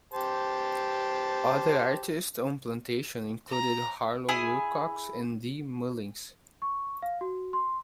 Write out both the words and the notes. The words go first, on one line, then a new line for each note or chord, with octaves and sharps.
Other artists on Plantation included Harlow Wilcox and Dee Mullins.
G4 C5 A5
A#5
E4 G#4 G#5 D#6
C#6
F5
F#4
C6